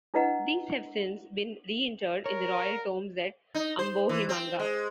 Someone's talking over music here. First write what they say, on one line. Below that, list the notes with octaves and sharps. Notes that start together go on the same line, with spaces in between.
These have since been re-interred in the royal tombs at Ambohimanga.
D4 E4 B4 D#5 F#5 A#5
A#4 C#5
D#4
C5
E3
C4
G#3